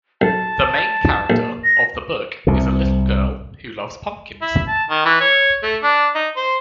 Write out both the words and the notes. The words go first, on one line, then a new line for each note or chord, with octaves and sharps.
The main character of the book is a little girl who loves pumpkins.
B1 A5
A#1
A#6
C2 C3
E4
A5
D#3
E3
C#5
A3
D4
D#4
C5